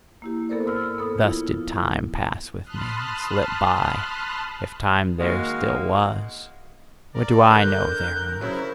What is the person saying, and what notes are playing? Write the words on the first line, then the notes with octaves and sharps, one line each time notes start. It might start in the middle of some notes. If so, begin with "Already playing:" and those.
Thus did time pass with me, and slip by, if time there still was: what do I know thereof!
A#3 E4 G4
B3 A4 A#4 C5 D5
G#2 E6 F6
B3 A4 D#6
F3 E4 F4
A5 B5 C6 D#6 F6 F#6
D#3 G#3 A#3 F#4 F5
A#4 D5
D3 F#6 G6
C#3 F#3 E4 C5